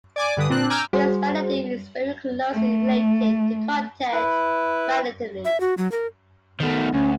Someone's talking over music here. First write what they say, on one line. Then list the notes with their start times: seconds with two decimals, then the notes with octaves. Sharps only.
Face validity is very closely related to content validity.
0.16 D5 G#5 D6
0.37 G2 D3 B4 D#6
0.49 A#2 C4 D4 F#6
0.70 G#5 A#5 D6 E6 F6 G6
0.93 G3 F#4 G#4 C5
2.52 A3
4.13 E4 B4
5.45 E5
5.60 F#4
5.78 F#3
5.92 A#4
6.60 D#3 A3 B3
6.94 D2 C#4